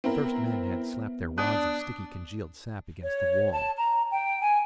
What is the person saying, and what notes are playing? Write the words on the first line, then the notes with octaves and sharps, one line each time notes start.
The first men had slapped their wads of sticky congealed sap against the wall.
B3 C4 E4 A#4
D4 D#6 F#6
C#5
A5
A#5
G5
G#5